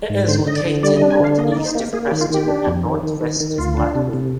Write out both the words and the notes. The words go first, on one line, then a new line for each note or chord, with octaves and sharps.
It is located north-east of Preston and north-west of Blackburn.
G#2
D3 C5
D3 D#5
D5
D3
G3 D5
D#5
D4
G#5
D3 F5
A#3 D#5
D5
D#4
C5
A#3 G4
A#3 G#4
G4
D#3
F4
D#3 G4
D4
F2
D#3
D#3
D#3
D#3
D2 F4
D4
C3
C3